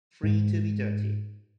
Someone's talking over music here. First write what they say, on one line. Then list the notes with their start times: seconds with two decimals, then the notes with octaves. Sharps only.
Free to Be Dirty!
0.23 G#2